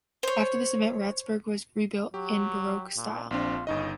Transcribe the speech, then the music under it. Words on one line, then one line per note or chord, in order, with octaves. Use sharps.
After this event Ratzeburg was rebuilt in baroque style.
C5 C#5
F#3 G4
A#2
A#1 C4 D4 F4
G1 C#3 D#4 D#5